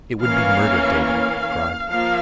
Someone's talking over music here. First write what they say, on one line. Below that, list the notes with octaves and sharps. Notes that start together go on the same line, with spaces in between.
"It would be murder, David," he cried.
E3 A#3 C#4 F5
F5
F3 A#3 F5